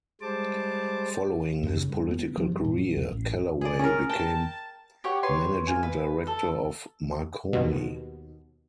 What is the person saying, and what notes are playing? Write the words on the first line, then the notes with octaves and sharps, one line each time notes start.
Following his political career, Kellaway became Managing Director of Marconi.
G3 G#3 C5 A5 D6
F#2
C#3
G2
B3
F3
G2
A#2
F#3
E2
A1
G#4 D5
C#4 G#4 A#4
G5 A5
G4 C#5 F#5
B4 C#5 C6
F5 G#5
B4
A4
D#2 B2